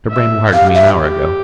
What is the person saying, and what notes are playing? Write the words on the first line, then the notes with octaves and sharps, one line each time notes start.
"Mr. Brand wired to me an hour ago."
E5
G4 F5
E5